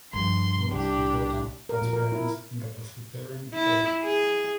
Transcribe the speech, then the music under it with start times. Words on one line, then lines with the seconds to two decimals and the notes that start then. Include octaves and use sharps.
Wallace was brought up by his parents in the Presbyterian faith.
0.13 G2 F3 C6
0.71 C2 D4 G4
1.69 A#4
1.82 A#2
1.93 A#4
2.12 E4
3.53 E4
4.02 G#4